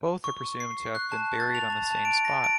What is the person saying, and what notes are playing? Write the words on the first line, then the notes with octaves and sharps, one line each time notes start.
Both are presumed to have been buried on the same spot.
C#6
C7
F#6
A5
A6
F7
A5
A5
D7
A#6
D7